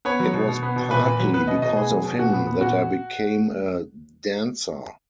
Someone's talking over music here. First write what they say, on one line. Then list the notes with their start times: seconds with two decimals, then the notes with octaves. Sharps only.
It was partly because of him that I became a dancer.
0.05 B3 C#5
0.20 F#3
0.34 B2
0.48 B2
0.63 B3
0.76 B2
0.90 A#2 B4
1.05 A#2
1.19 F#3
1.33 B3 B4
1.47 B2 D#5
1.62 B2 D#5
1.76 B3 G#4
1.90 F#3
2.04 B2
2.18 A#2 F#4
2.33 B3
2.47 B3
2.61 A#2 F#4